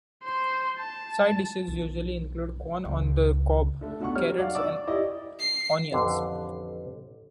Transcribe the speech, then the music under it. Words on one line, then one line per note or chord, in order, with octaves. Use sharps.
Side dishes usually include, corn on the cob, carrots, and onions.
C5 C6
A5
B1
C#2
D3 A3
B2 D3 F#5 C#6
F#3 G3 C#5 F6
D5 F5 F#5
D5 C#6 D6 E6
E4 G4 D5 D#5
C7
A1 F2 D3